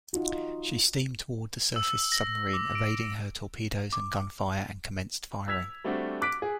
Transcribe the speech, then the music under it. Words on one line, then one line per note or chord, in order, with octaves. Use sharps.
She steamed toward the surfaced submarine, evading her torpedoes and gunfire, and commenced firing.
D#4 F4 F#4
E6
A#6
D6
D7
D6
E6 G#6 B6 F7
G3 A3 C4 D4 F#4
D6 F#6 B6 D7
G#4